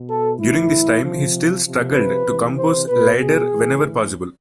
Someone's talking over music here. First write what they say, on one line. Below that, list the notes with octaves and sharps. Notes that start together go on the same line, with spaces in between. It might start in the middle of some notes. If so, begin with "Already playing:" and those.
During this time, he still struggled to compose lieder whenever possible.
Already playing: B2
A4
A2 E3 E4
C3 F3
C3 F3
B4
C3 E3
C5
B2 B4
G#4
A2 E3